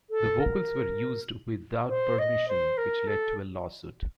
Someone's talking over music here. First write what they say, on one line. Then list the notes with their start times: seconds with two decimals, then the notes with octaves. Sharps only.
The vocals were used without permission which led to a lawsuit.
0.10 A4
0.40 A#4
1.89 C5
2.19 D#5
2.48 C5
2.78 A#4
3.07 A4